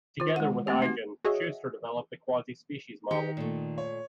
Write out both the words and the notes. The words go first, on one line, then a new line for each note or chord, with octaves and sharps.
Together with Eigen, Schuster developed the quasispecies model.
D#3 F4
G#3 F#5
A3 A#3 C4 G4
D#4 F#4 B4
F#4 G#4 C#5 D#5 E5
D#3 G4 C#7
A#2 A3
C#5